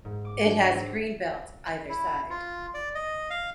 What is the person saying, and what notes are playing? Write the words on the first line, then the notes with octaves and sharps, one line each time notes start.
It has green belt either side.
G#2
D6
D4
C4
E4
F4
D5
D#5
F5